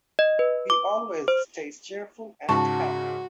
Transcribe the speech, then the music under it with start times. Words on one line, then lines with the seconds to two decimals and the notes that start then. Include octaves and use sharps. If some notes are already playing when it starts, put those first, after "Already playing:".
He always stays cheerful and happy.
0.19 D#5
0.39 B4
0.70 D6
1.28 C5
2.49 G#2 C#3 G#3 F#4 A5 C#6